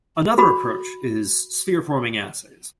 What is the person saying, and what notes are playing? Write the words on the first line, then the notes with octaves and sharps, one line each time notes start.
Another approach is sphere-forming assays.
F#4 B5